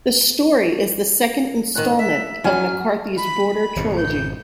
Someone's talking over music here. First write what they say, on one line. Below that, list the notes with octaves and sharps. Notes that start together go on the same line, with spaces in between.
The story is the second installment of McCarthy's "Border Trilogy".
G#2 D#3 F#6
E5 B6
F#2 F#3 G#5 F6
B5
G#1 F2 B2
G6